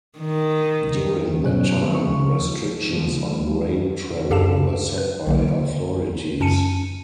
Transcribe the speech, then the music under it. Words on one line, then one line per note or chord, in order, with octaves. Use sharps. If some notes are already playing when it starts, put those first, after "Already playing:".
During that time restrictions on rail travel were set by authorities.
D#3
G2 B2 F#3 C#4 F#6
D3 F3 G#3 B3 C4
C#6
F3
F3 G#3
F#2 G4 A4 F5 A5 E7
B4
B1 D3 A#3
F#2 C#4 A5 C#7 D#7